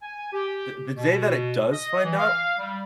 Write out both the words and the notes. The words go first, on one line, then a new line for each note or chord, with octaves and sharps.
The the day that it does find out,
G#5
G4
B2
D#5
E3
F5
G3